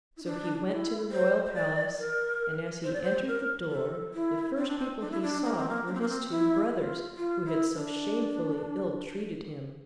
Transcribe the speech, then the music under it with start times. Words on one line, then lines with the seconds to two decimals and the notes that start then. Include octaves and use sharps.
So he went to the royal palace, and as he entered the door the first people he saw were his two brothers who had so shamefully ill-treated him.
0.17 E4
0.24 D4
0.68 E4
1.11 C5
1.45 C5
1.54 D5
1.97 A#4
2.84 C5
2.93 D5
3.02 C5
3.27 A#4
3.70 A4
4.14 E4
4.57 C4
4.68 D4
4.79 C4
5.00 D4
5.11 E4
5.22 D4
5.44 A#3
5.56 C4
5.69 A#3
5.87 D4
5.94 C4
6.01 A#3
6.09 C4
6.30 E4
6.73 F4
7.17 F4
7.46 E4
7.74 D4